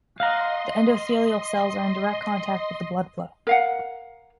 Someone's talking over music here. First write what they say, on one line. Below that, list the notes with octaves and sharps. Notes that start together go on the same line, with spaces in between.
The endothelial cells are in direct contact with the blood flow.
D#5 F5 F#5 A#5 C6
A#4 F5 F#5